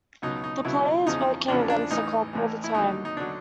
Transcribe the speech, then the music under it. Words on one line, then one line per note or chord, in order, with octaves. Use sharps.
The player is working against the clock all the time.
C#2 B2 F#3 D#4
D#4
C#2 B2 F#3 E4
E2 C#3 F3 D#4
E2 C#3 F3 D4
D4
A1 A2 E3 D#4
A1 A2 E3
E4
D#2 D3 F#3 D#4
D#4
D3 F#3 D4